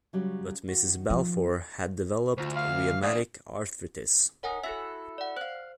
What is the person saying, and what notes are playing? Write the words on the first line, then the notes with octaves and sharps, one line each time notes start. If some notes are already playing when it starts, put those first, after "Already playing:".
But Mrs Balfour had developed rheumatic arthritis.
C#3 F#3 G3
D#3 F#4
F3
D2 F4 C5
F5
A#3 D4 D5 F5 D#6
D#4 A#4 C#5 F#5 G#5
E4 F#4 A4 E5
D5 F#5
C5 F5 F#6